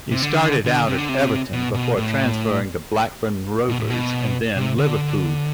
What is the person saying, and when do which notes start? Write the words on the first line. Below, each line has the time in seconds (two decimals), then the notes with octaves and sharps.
He started out at Everton before transferring to Blackburn Rovers and then, Liverpool.
0.11 C3
0.22 D3
0.66 D3
0.87 C3
0.98 D3
1.09 C3
1.53 B2
1.74 B2
1.97 A2
3.69 B2
3.80 A2
3.90 B2
4.56 C3
4.78 D3